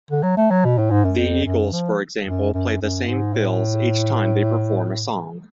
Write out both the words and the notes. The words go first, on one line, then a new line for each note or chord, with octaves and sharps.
The Eagles, for example, play the same fills each time they perform a song.
D3
F#3
A3
F#3
B2
A2
G#2
F#2
F2
F#2
F3
F#2
F#2
F#2
G#2
A2